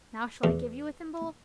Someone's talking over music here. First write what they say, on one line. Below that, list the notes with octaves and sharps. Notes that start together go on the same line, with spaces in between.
"Now shall I give you a thimble?"
E2